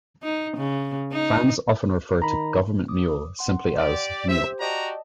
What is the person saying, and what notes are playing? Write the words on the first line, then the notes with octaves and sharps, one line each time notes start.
Fans often refer to Gov't Mule simply as "Mule".
D#4
C#3
D#4
D#3 A#5 B5
D6 D#6
F#5 C6
G4 D5
G4 C5 E5
F#4 G4 D5 D#5 A5 A#5